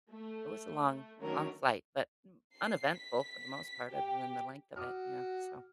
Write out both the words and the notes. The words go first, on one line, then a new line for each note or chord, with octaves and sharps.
it was a long, long flight, but m uneventful, for the most part, other than the length of it, you know? So,
A3
D#3 F#3 A3 C#4 D4 A#4
C7
B6
G4
F#4 D6 D#6 F6